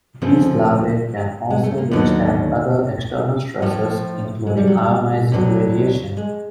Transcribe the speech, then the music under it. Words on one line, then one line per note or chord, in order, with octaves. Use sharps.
These larvae can also withstand other external stresses including ionizing radiation.
D2 C#3 F3 C4
G#3
A3
A#3
D#2 D3 F#3 B3
A2 F3 F#3
G#3
G3
F#3
G3
D2 C3 D#3 F#3
G#3